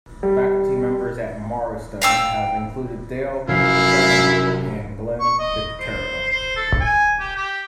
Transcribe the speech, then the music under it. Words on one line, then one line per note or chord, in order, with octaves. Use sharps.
Faculty members at Marrowstone have included Dale Clevenger and Glenn Dicterow.
G3
F5 G5 E6
F#2 C3 F3 F#3 E4 F5
C#6
D#5
C5
C5
A4
G#5
G4
G4